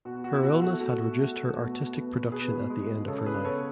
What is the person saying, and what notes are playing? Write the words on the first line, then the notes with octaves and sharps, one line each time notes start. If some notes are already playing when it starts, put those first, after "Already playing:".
Her illness had reduced her artistic production at the end of her life.
B2 F#4
F#4
E4
B2 F#4
F#4 A4
A3
A3
B2
B3
B2 G#4 B4
G#3
C#3 A4 C#5
G#4 B4
B3 A4 C#5